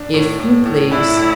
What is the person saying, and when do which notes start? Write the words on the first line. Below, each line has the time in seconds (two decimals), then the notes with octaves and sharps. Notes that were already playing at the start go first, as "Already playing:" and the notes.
"If you please."
Already playing: D4
0.14 A2
0.39 A2
0.66 A2
0.91 D4 E4
1.17 A2